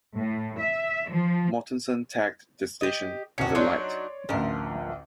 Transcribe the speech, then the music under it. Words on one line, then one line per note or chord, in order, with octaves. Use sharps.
Mortenson tagged the station "The Light".
A2
E5
F3
G4 D#5
D#1 C2 C#4 F#4 C#7
F#3 D4 D#4 C#5 D5 C6
A1 D2 F3 A#4